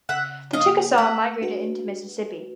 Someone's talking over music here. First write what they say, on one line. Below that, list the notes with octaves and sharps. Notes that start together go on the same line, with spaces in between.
The Chickasaw migrated into Mississippi.
C#3 E5 F#5
F3 A#3 D#5 F5
A3 E5 F#5
D4 F#4 B4